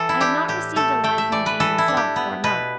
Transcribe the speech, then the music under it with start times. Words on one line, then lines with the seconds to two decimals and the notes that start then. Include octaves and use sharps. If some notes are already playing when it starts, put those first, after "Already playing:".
I have not received a line from G. himself for a month.
Already playing: E3 A4
0.09 E4
0.20 D4 G4
0.48 A2 G4
0.76 A3 A4
1.04 A3 G5
1.18 E5
1.32 E3 D5
1.46 B4
1.60 E3 A4
1.78 E4
1.88 D4
1.97 G4
2.16 B3
2.44 B2 B4